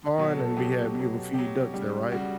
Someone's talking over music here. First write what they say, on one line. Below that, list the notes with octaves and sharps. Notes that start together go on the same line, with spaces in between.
pond, and we had we would feed ducks there, right,
B2 F#3
A4
B2 F#3 G4
B2 F#3
B2 F#3 G4
C#3 G3
C#3 G3 F#4